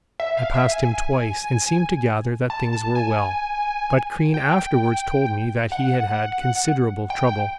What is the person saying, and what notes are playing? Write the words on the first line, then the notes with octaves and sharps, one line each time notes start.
I passed him twice and seemed to gather that things were well, but Crean afterwards told me that he had had considerable trouble.
E5
F5
E5
G#5
A5
A5
G#5
G5
F#5
G5
G5